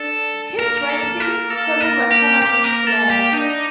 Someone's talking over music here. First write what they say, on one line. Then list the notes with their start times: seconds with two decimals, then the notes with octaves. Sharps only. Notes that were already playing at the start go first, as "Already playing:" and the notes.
His dressing-table was covered with blacks.
Already playing: D4 A4
0.59 A#3 A#4
0.78 A#4
0.90 A4
1.20 A#4
1.50 A#3 A4
1.81 A#4
1.96 A#3
2.11 G4
2.42 A#3 G4
2.64 A#4
2.87 A#3 A4
3.10 G4
3.33 D4 D#4